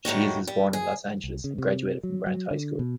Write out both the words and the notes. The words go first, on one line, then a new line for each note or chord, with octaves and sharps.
Shields was born in Los Angeles and graduated from Grant High School.
A2 D#3 G3 F#4
G3
G#4
C2
C#3
C3
F#3
F#3
D3
B2